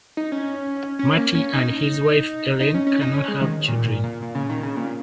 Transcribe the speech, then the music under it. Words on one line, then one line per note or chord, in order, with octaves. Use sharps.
Marty and his wife Elena cannot have children.
D#4
C#4
C#4
A#3
C#4
D#4
D#4
C#4
C#4
D#4
C#4
G#3
D#3
A#2
A#2
A#2
A#2
C#3
D#3
C#3
A#2